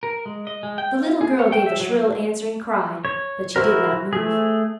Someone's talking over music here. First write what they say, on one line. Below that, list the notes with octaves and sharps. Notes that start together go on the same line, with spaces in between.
The little girl gave a shrill answering cry, but she did not move.
A#4
G#3
D#5
G#3
G5
F4
G#4
C#5
G5
E5
F#3
E4
C#5
E4 F#4 A#4 C5
A3 G#4